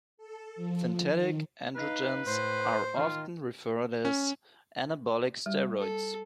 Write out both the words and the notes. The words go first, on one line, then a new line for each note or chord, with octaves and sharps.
Synthetic androgens are often referred to as anabolic steroids.
A4
F3
D#3
D#4 B4 F5
A2 C5
D#3 F4
C#4
G3
A4